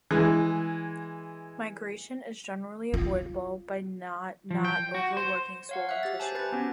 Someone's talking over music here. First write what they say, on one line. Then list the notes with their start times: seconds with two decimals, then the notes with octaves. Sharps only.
Migration is generally avoidable by not not over-working swollen tissue.
0.11 E3 G#3
2.94 F4
4.51 F3
4.65 G5
4.94 F#4
5.17 C5
5.69 C#5 F5 F#5
5.89 E5 F#6
6.03 G4 A6
6.20 G4 C5 G#5 A5
6.35 B4 F#6 A6
6.52 B3 C#4 F#4